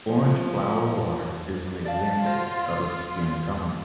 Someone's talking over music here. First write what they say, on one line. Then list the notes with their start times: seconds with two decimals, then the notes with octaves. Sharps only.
Orange flower water is an example of a skin tonic.
0.08 F3
1.85 D5 F5 A5
2.24 F4 F#4 C5 F5